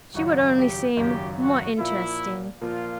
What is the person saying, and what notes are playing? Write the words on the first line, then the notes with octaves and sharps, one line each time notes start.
"She would only seem more interesting."
G#1 F#2 C#3 F#4
G4
G#1 F#2 C#3 G4
F#4
A#2 F3 A#3 E4
A#2 F3 A#3 F4